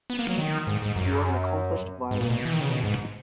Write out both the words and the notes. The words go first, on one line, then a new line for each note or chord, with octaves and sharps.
He was an accomplished violinist.
B3
A#3
F#3
D#3
G#2
G#2
F#2
G#2
A#2
B2
E3
D#3
C#3
B2
G#2